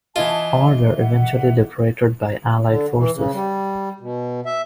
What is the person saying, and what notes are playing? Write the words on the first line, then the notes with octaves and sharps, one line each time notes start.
All were eventually liberated by Allied forces.
E3 E4 F4 D#5 G#5 A5
E5 F#5
D3
E3
C#3
G3
B2
E5